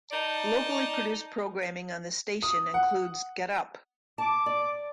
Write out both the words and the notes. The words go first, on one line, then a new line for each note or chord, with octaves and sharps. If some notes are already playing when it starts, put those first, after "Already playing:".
Locally produced programming on the station includes Get Up!
D#4 D5 A5
D#6
F#5
A5 D6
D5